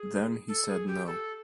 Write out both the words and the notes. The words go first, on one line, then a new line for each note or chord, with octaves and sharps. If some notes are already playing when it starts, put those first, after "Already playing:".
Then he said no.
Already playing: G#4
A4
G#4
G4
A4